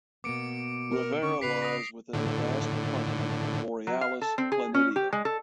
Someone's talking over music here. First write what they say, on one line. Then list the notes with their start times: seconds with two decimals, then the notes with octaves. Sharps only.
Rivera lies within the vast plain of Borealis Planitia.
0.24 B2 A#3 B3 D6 C#7 D7
0.90 A#4
1.22 D3 C#4 C#6
1.42 A2 C#3 B4 B6 C7 F7
1.62 D#6 A#6
2.13 A2 D3
3.87 F#3
4.01 F5
4.22 A4
4.38 C4
4.52 G#4
4.74 C#4
4.96 G4
5.13 G#3
5.25 A4